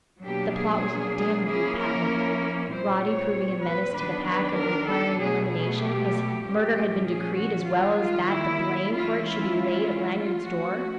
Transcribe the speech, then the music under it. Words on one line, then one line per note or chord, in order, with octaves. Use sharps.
The plot was damnably patent: Roddy proving a menace to the Pack and requiring elimination, his murder had been decreed as well as that the blame for it should be laid at Lanyard's door.
B2 F#3 A#3 D4 G4
G#4
G#4
F3 A#3 C#4 E4 G#4
A#4
A#2 G3 C4 C5
C#5
B4
D#3 F#3 B3 D4 B4
B4
A#4
A4
B2 F#3 A3 G#4
G#4
G4
A#2 F3 A3 C#4 G4
G#4
F#4
D#3 G3 A#3 F4
F4
E4
E3 G#3 C#4 E4 F4
F4
F3 A3 C#4 F4
F#4